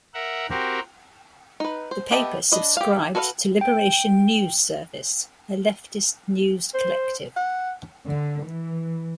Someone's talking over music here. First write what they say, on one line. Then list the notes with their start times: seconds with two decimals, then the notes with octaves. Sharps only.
The paper subscribed to Liberation News Service, a leftist news collective.
0.14 A#4 E5 F#5
0.50 C4 F#4 G4 A#4
1.60 D#4 B4
1.91 C5
2.11 B3 G4 A4 D#5 E5
2.52 D4 B4 D#5
2.77 G4 F5
3.15 F#4 A4 B4 D#5 F5
3.61 G5
6.74 C5
7.36 F#5
8.07 D3
8.44 E3